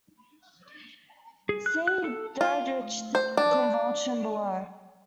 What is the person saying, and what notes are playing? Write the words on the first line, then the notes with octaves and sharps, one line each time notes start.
See Dirichlet convolution, below.
G#4
F#6
F#6
A4
F4
C5
D4